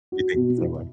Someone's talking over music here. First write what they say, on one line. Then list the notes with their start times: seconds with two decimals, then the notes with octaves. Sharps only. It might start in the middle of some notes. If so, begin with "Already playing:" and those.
You think the same way?
0.12 F#4
0.35 B2
0.58 E4